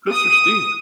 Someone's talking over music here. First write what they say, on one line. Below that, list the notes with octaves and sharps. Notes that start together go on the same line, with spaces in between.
cliffs are steep.
D#6